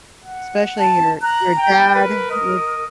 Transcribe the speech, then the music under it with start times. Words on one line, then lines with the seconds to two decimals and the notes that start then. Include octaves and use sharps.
especially your your dad, your
0.24 F#5
0.78 A5
1.22 A#5 F#6
1.58 G5
1.94 A#4 B4
2.31 D#5